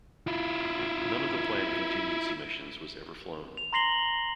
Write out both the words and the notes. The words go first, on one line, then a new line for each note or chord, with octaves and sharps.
None of the planned contingency missions was ever flown.
E4 F4
F7
A#5 C6 A#6 C7 F#7 G7